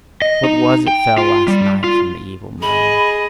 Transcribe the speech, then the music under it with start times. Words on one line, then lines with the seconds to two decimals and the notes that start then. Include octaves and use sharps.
What was it fell last night from the evil moon?
0.22 D#5
0.44 D#4
0.88 G5
1.18 F4
1.48 G3
1.84 F4
2.62 G#4 D#5 B5